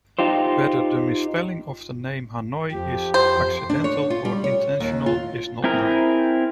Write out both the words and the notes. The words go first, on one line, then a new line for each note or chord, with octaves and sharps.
Whether the misspelling of the name Hanoi is accidental or intentional is not known.
D#4 F4 G4 C5
F2 F3 G4
C5
D4
C#5
F4
G3
C#5
D#2
F4
C4 E4 G#4 A#4